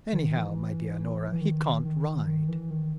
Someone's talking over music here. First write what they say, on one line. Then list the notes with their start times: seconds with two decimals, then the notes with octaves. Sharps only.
"Anyhow, my dear Norah, he can't ride."
0.13 D#3
0.35 E3
1.32 E3
1.41 D#3
1.84 D#3
2.27 D#3
2.48 E3
2.70 D#3